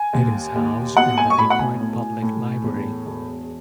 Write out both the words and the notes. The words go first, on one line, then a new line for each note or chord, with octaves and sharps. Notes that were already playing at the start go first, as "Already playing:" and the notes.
It is housed in the Detroit Public Library.
Already playing: G#5
D#2
D#2
B1 F#5
G#5
C#6
A2 B5
F#5
G#5
A2
A2
E2
E1